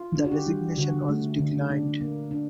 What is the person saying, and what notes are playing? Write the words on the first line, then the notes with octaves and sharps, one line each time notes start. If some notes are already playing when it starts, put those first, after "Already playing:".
The resignation was declined.
Already playing: F4
D4
F#4
G4
G3
D3 F#4
A3
D3
D4
A#3
D4